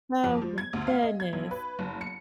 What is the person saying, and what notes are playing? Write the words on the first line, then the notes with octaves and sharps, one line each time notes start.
Oh my goodness.
F2
F3
G#6
D2
F5
D#5
G#6
B1
B4
F#1
C#7